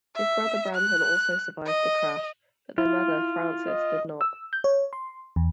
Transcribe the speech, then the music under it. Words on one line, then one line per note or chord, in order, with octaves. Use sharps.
His brother Brandon also survived the crash, but their mother, Frances, did not.
E5
F#6
D#5
E4 F4
D#5
E6
G6
C#5
C6
E2